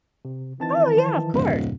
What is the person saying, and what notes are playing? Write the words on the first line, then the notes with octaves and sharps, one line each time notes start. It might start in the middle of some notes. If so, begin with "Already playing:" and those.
Oh, yeah, of course.
C3
D#3 E3 C4 A5 A6
F3 A5
D1 E2 G2 B2